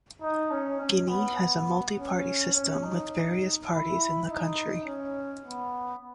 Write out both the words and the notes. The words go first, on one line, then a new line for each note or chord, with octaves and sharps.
Guinea has a multi-party system with various parties in the country.
D#4
C#4
C#4
B3
C#4
C#4
D#4
E4
D#4
C#4
B3